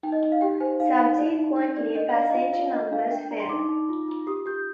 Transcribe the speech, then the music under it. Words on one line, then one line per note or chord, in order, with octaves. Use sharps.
Subsequently, passenger numbers fell.
D#4 G5
D#5
D#4
F5
G4 G5
C5 G#5
D#4 F5
D#4 F5
D#4 D5
D#4
D4
D5
D4 D#5
F5
D5
F5
D#5
F4 F5
F4 F5
D4 D#5
D4 F5
D4 G5
G5
D5 A#5
C6
D#4 D6
D#4
F4
F4
G4 D#6
G4 G6